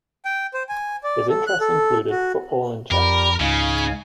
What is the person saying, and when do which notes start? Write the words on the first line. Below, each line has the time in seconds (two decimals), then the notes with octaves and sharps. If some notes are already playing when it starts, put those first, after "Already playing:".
His interests included football and chess.
0.25 G5
0.54 C5
0.69 G#5
1.04 D5
1.29 A4
1.47 F#6
1.61 A4
2.10 F#4
2.91 F2 G4 A#4 D5 B5
3.40 C#2 G#2 C#3 D#4 F5 G#5